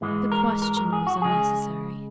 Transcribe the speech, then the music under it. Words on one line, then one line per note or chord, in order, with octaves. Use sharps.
The question was unnecessary.
G#2 E3 G#3
A#4
A#4
A#4
G#4
F#4
C#3 G#3 G#4